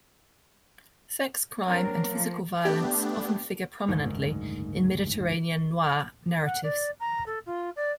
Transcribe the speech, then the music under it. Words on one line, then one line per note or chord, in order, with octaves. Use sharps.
Sex, crime, and physical violence often figure prominently in Mediterranean Noir narratives.
F#3 C4 D4 A#4
F3 A#3
A3 B3 D4 G4
F#1 D2 G#2 D#3
F#5
D5
A#5
A4
F4
D5